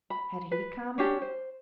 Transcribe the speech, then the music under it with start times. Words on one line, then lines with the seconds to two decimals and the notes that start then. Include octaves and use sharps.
Had he come?
0.10 B5
0.51 B4
0.98 C#4 D4 G4
1.22 C5